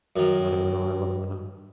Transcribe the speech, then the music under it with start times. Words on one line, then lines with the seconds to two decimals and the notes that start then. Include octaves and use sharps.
A lotta UNO; I love UNO.
0.16 F#2 D#3